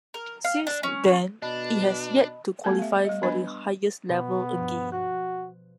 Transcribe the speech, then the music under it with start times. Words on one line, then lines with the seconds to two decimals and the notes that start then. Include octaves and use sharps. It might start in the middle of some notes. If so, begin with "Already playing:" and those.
Since then, it has yet to qualify for the highest level again.
0.14 A#4
0.45 F5
0.67 D4
0.83 C#4
1.42 B2 D4 D#5 A5 B5
2.64 A3 B3 G4 A4 A5
2.79 E5 F5
3.05 G3 D#5
3.23 B3 D4 B4 D#5 B5
4.09 B2 B3
4.53 G2 F3
4.92 F#4 F#6